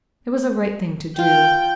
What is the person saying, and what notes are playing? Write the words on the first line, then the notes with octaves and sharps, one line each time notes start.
It was a right thing to do.
F4 F5 G5